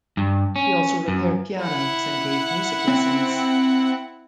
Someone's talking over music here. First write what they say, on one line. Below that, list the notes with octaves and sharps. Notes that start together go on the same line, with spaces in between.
He also repaired pianos and gave music lessons.
G2
C#4
F#2
E4 F#5
C4